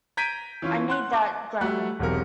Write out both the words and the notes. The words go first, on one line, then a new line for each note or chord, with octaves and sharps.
I need that Grammy.
A#5 G6 G#6 B6 D7 D#7
E3 C#4 F4
F#5 C6 F#6
D6
F#3 G3 A3 F#5 F#6
E1 B1 C3 A#4